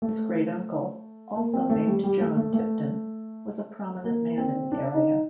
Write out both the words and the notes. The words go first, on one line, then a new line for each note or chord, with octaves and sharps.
His great uncle, also named John Tipton, was a prominent man in the area.
A3
A#3
C4
A3
G3
G3
A3
A3
A3
A#3
C4
D4
D#4